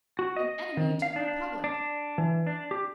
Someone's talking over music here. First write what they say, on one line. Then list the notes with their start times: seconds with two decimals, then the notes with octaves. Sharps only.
"An enemy to the Republic!"
0.19 F#4
0.36 D#5
0.77 D#3
1.02 F5
1.16 D4
1.64 D4
2.18 E3
2.47 D4
2.71 G4